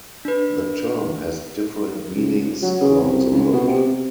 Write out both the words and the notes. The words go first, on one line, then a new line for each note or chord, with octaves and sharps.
The term has different meanings around the world.
D4 B4
C#2
F#3
C#3
C2
C#2
B2
C3
C3